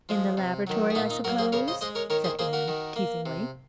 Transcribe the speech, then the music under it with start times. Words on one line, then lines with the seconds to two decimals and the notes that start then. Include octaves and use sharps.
"In the laboratory, I suppose," said Anne teasingly.
0.09 F3 G#3
0.37 C3
0.67 D#3 F#3
0.90 G#4
0.95 A#2 D#4 F#4
1.10 D#4
1.24 F#3 F#4 A#4
1.28 A#3
1.39 G#4 C5
1.52 C#3 A#4 C#5
1.68 C5 D#5
1.81 G#3 C5 D#5
1.95 A#4 C#5
2.10 D#3 A#4 C#5
2.24 G#4 C5
2.39 A#3 G#4 C5
2.53 F#4 A#4
2.68 D#3
2.96 A#3
3.26 C3